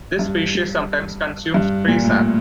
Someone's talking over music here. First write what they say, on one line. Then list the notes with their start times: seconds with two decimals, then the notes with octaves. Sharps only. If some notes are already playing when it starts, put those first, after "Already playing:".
This species sometimes consumes tree sap.
0.19 G2
1.54 G2
1.88 A#2
2.05 A2